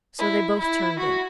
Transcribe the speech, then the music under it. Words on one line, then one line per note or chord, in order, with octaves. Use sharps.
So they both turned in.
E4
E4
F#4